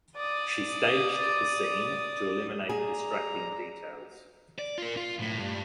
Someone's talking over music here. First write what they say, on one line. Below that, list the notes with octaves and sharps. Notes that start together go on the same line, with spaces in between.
She staged the scene to eliminate distracting details.
D5 D#6
G#4 D5 A#5
D5
F4 A#4
F4
B1 A2
G2